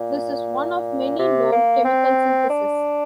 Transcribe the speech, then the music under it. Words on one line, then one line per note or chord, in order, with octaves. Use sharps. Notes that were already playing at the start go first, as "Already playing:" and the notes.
This is one of many known chemical syntheses.
Already playing: A#2
C3
A#3
C4
D4